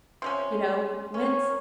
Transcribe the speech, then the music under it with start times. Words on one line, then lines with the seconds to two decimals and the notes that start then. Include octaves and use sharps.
you know, when's
0.22 C3 F3 C#4 C6
1.14 C#4 A#4 C#5